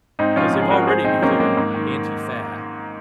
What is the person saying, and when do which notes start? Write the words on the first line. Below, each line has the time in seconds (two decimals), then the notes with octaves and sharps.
'Cause they've already declared Antifa,
0.19 G#2 C4 D#4
0.36 F3 C#4 F4
0.53 G#2
0.61 G#4
0.71 F3 F#4 A#4
0.87 G#2 G#4 C5
1.04 D#3 C4 D#4
1.22 F#3 A#3 C#4
1.40 G#2 A#3
1.57 G#2
1.74 D#3